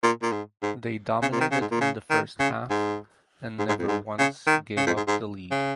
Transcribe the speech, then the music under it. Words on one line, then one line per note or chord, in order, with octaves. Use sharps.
They dominated in the first half and never once gave up the lead.
A#2
A#2
G#2
G#2
C#3
A#2
D#3
C#3
G#2
A#2
C#3
D#3
C#3
G#2
G#2
G#2
F2
G#2
C#3
D#3
C#3
F2
G#2
G#2
C#3